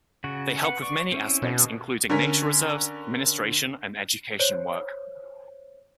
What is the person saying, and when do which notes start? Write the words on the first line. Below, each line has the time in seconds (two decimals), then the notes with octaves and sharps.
They help with many aspects including nature reserves, administration and education work.
0.24 C#3 F#4
0.63 B4 F#5
0.82 D5 C#6
1.12 C4 C#4 E4
1.42 B2
2.10 D3 C#4 A#4 G#5 B6
4.40 C5 C#5